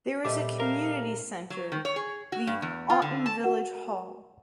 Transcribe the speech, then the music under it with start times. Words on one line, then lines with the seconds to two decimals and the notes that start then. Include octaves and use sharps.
There is a community centre, the Aughton Village Hall.
0.25 A#2 G3 A3 C4 D#5
0.60 A#4 F5
1.50 F#3
1.72 D#3
1.85 C#5
1.96 G#4
2.32 F#4
2.47 G2
2.62 E2
2.90 F4
3.02 D3
3.26 A5
3.44 F#4 A#4 F#5 E7